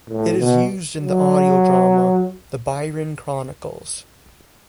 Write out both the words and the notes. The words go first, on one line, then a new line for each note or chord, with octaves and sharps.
It is used in the audio drama, "The Byron Chronicles".
A2
B2
F#3